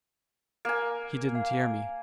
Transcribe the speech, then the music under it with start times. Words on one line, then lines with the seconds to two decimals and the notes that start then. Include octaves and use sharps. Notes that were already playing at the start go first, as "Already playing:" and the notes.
He didn't hear me.
0.65 A#3 G#5
1.35 F5